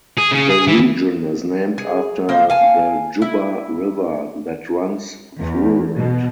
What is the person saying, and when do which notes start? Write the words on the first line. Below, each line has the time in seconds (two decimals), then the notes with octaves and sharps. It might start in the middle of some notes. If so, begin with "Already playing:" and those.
The region is named after the Jubba River that runs through it.
0.18 G#4
0.32 C#3
0.50 G#4
0.68 E3
1.78 G#4
2.29 A#3 C5
2.50 F5 G#5 A5
3.22 E4
5.40 E2
5.98 B2